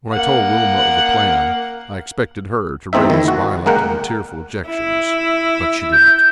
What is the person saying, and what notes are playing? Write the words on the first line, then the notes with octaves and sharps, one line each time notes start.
When I told Wilma of the plan, I expected her to raise violent and tearful objections, but she didn't.
A#3 F#5
E2 A3 C4 D#4 E5
D#3 E4
F#4
G#3 A#3 A#4 F#5 G5
E4
G6